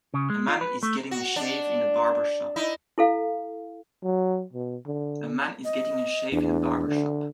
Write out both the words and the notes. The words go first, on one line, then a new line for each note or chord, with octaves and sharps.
A man is getting a shave in a barber shop.
C#3
G#3
F4
B4
A3
F#4
D4
D#4 E4
E4 A4 F5
F#3
B2
D3
D#5
E2 D4
D3